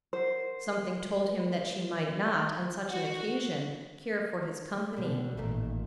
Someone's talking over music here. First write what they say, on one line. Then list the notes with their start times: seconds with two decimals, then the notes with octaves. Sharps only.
Something told him that she might not, on such an occasion, care for his company.
0.13 A#4 C5 F#5 C7
1.28 B4
2.91 F#4
4.96 B2 D3 G3
5.37 A1 A#2 D#3 A3